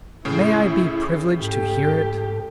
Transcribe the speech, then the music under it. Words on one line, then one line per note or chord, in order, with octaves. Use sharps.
May I be privileged to hear it?
A2 C#3 E4
G#2 G4 A4